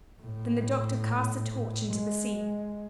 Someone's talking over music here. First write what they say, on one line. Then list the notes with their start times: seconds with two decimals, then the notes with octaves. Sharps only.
Then the doctor cast the torch into the sea.
0.22 A2
1.94 G#3